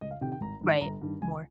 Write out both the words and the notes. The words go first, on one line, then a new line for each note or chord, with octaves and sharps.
Right. More.
C#2 D#5
F5
C3 D#3 G5
G5
G#1 A#5
G#2 D#3
G1 A#5
G2 D#3
C#2 G#5